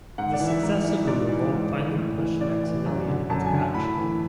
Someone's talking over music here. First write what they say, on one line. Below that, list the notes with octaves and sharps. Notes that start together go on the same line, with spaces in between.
The success of the revolt finally pushed Maximilian into action.
G#2 F#5
D5
E3
E5
G#2
E3
G#2 D5
E3
G#2
E3
A2
E3
A2 D5
E3
F#2
D3
F#2 A5
G#5
D3
A5
A2 B5
E3